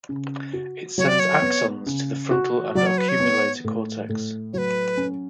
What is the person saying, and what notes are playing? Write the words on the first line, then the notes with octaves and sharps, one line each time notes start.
It sends axons to the frontal and oculomotor cortex.
C#3
F#4
F#3 C#5
D5
C#5
B3
C#3
F#4
F#3 D5
C#5
B4
C#5
B3
A2
A2
F#3 B4 C#5
C#4